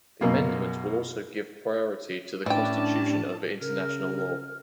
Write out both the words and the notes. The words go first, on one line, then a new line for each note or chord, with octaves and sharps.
The amendments will also give priority to the Constitution over international law.
F#2 B2 A#3
A2 E3 C#4 D4 G4 D5 G5 A5
C#3 A#4 F6